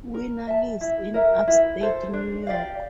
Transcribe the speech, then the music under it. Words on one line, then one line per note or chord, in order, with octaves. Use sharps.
Winner lives in upstate New York.
A#4
E5 A5
E4
A#4 E5
E4
A4 C5
D4
G4 D5 F5